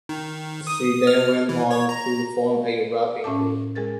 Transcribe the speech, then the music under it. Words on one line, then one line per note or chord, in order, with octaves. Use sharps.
She then went on to form a rapping group.
D#3
D#6
F6
E3
C#5
A#5
A2 C#4 E5 A5 D6
G#3 G#4 A#4 A6